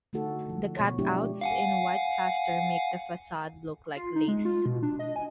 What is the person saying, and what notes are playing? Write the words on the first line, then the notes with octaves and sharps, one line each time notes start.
The cutouts in white plaster make the facade look like lace.
D3 A3 D#4 F#4 A4
F3
B2 C#5
F3 G#3 B3 D4 E4 G4
F5 F#5 G#5
F4
D#4
G#3
F4
B2
D4
D#5
G#5